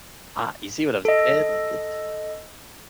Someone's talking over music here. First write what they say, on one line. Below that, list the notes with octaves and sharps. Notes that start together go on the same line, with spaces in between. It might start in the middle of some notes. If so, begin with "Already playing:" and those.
Ah, you see what I'm saying? Like it's
A4 D#5